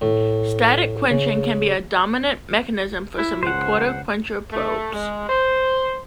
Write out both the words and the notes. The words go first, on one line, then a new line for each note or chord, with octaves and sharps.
Static quenching can be a dominant mechanism for some reporter-quencher probes.
A2
C#3
E4
C#2 C5 F#5
A3
G#3
C5